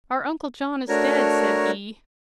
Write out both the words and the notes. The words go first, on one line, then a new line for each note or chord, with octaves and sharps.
"Our uncle John is dead," said he.
A3 D4 F#4 A#4 C#5 A#5